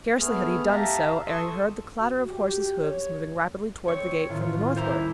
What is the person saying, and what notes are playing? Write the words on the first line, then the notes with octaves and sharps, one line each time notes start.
Scarcely had he done so ere he heard the clatter of horse's hoofs moving rapidly towards the gate from the northward.
A3 B3 G#4 F6
G4 E5 F5 A5 A#5
A4 C6 C#6 D#6 E6
F#4
G4
C#5
C4 C#5
A2 D#3 C#4 F4
D#2 G3 E4 C5 A#5 G6